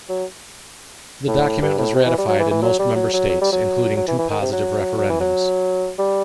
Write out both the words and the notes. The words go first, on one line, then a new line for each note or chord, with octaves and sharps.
The document was ratified in most member states, including two positive referendums.
F#3
A2
G2
A2
C3
E3
G3
F#3
E3
E3
F#3
G3
F#3
F#3
F#3
G3
F#3
F#3
E3
E3
D#3
C3
F#3
F#3
E3
F#3
G3